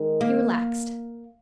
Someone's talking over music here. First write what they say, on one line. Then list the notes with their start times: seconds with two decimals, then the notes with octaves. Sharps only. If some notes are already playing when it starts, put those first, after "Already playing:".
He relaxed.
Already playing: D#3 G#3 D#4 A#4
0.21 A#3